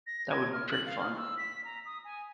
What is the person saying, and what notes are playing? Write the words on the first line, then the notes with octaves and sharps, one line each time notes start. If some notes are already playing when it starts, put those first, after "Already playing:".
That would be pretty fun.
A#6
G#6
F6
F#7
F5
F6
E6
B6
A#5
D#6
G#5